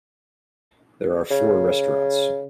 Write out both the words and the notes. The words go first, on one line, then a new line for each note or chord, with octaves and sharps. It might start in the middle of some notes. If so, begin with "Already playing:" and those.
There are four restaurants.
C#3